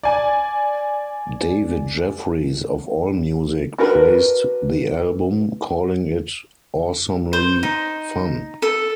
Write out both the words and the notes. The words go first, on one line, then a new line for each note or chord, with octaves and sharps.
David Jeffries of AllMusic praised the album, calling it "awesomely fun".
D5 G#5
D4 F#4 A#4 B4
C5
D#4
A4